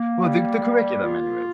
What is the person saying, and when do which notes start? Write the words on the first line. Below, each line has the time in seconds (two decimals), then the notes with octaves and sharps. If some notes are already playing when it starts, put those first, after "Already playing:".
Well, the the curriculum, anyways.
Already playing: A#3
0.23 G3
0.63 A#3
1.02 F4